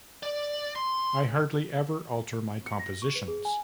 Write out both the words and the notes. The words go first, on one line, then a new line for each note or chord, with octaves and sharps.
I hardly ever alter my compositions.
D5
C6
C#7
A#6
C#6
B4
G#4
G#5